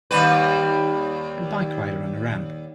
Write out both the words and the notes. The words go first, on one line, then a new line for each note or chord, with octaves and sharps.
A bike rider on a ramp.
D#2 G3 B4